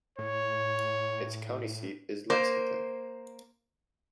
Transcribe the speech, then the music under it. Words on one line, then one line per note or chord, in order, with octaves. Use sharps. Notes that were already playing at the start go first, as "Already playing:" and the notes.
Its county seat is Lexington.
A2 C#5
A#3 C5